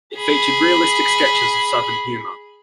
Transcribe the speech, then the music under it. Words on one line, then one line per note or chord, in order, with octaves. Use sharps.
It featured realistic sketches of Southern humor.
G#4 B5